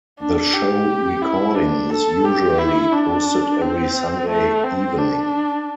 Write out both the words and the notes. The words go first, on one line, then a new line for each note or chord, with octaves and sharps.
The show recording is usually posted every Sunday evening.
D4
G4
E4
D4
A4
G4
E4
D4
C4
A3
C4
D4